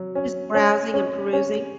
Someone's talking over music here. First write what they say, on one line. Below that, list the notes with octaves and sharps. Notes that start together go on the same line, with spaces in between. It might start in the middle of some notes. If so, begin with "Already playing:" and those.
Just browsing and perusing.
Already playing: F#3
C#4
C#4
C#4
C#4